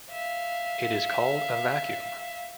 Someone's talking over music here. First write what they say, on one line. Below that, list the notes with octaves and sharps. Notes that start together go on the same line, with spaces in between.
It is called a vacuum.
E5 F5